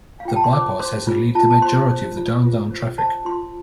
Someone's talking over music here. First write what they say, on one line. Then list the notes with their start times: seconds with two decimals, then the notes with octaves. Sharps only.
The bypass has relieved a majority of the downtown traffic.
0.20 F5
0.25 F4 G5
0.36 A5
0.44 C6
0.53 C5 D6
0.80 C5 C6
1.07 F4
1.35 F4 A5
1.50 A5
1.62 C5 C6
1.89 C5
2.17 F4
2.44 F4
2.71 C5
2.98 C5 A5
3.25 F4 C6